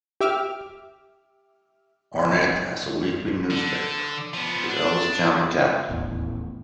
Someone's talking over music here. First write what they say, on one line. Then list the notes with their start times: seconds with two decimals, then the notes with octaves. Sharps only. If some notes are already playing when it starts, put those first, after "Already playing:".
Arnett has a weekly newspaper, "The Ellis County Capital".
0.21 G4 E5 D6 F6
3.50 D3
4.34 F3 B3
4.69 D4
5.89 D#1 A1 E2